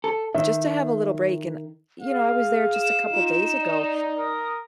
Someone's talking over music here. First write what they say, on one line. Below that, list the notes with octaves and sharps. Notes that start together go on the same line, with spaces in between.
just to have a little break, and you know, I was there just a couple days ago,
A4
D#3 E5
G#4 F5
E7
D#4 F4
D5
A#4 D#6